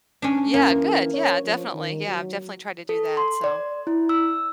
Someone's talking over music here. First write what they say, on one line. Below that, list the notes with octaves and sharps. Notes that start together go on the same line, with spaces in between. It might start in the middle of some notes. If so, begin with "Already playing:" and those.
Yeah, good, yeah, definitely, yeah, I've definitely tried to do that, so
C#4 D4
E3 A#3
C#5
F3
D#3
F#3
A4
C6
D5
E4
E6